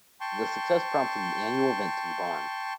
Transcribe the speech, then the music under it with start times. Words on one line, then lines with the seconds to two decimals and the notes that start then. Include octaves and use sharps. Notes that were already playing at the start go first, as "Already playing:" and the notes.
The success prompted an annual event to be born.
0.21 G5 A5 C6 C#6